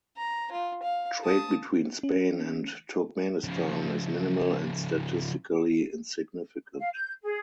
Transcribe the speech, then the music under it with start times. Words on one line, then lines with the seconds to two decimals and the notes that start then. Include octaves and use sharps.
Trade between Spain and Turkmenistan is minimal and statistically insignificant.
0.17 A#5
0.52 F4
0.83 F5
1.24 A5 D#6
2.03 C#4
3.44 C#3 F3
6.80 F5
6.94 G6
7.23 G#4